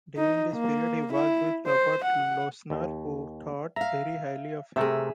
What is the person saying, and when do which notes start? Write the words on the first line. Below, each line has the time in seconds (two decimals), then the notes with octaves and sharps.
During this period he worked with Robert Lochner, who thought very highly of him.
0.17 D#4
0.53 A#3
1.12 E4
1.66 C5
2.04 F#5
2.70 D#2
3.76 E5 F5 A#5
4.76 C3 A3 G#4 A#4 E5